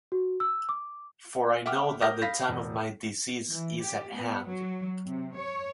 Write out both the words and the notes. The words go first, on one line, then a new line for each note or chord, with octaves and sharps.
For I know that the time of my decease is at hand.
F#4
E6
D6
E5 F#5 G5 D6 F6
A#4 D6 D#6 F6 G6 A#6
F5 B5 A#6 B6
E1
E3
G4
B3
F#3
C3
C#5